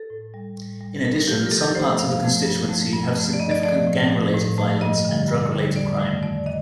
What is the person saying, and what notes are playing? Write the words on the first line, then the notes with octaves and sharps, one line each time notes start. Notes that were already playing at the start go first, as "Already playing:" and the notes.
In addition, some parts of the constituency have significant gang-related violence and drug-related crime.
Already playing: A4
A2
G3
A2
G3
C3 A#4
A4
F3 A3 G4
F4
A#4
C3 A4
G4
A4
F3 A3 C5
G2 F5
F3 A3
G2
F3 A3
G2
F3 A3
D5
G2 D#5
D5
F3 A3 D5
A2
F3 A3
A2
F3 A3
G2 D#5
D3 G3
G2
D3 G3
F2 D5
D#3 A3
F2 D5
D#3 D#5